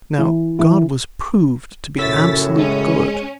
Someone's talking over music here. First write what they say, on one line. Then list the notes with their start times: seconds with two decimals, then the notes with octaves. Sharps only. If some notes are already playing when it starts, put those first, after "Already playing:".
'Now, God was proved to be absolute good.'
0.18 E3
0.59 E3
1.98 A#1 F#2 A2 C#3 E5 A6 B6
2.56 G#3 C#4